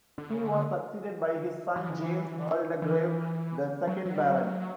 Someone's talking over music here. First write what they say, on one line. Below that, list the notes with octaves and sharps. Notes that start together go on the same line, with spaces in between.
He was succeeded by his son James Waldegrave, the second Baron.
D3
C#3
D3
E3
E3
F#3
F#3
G3
F#3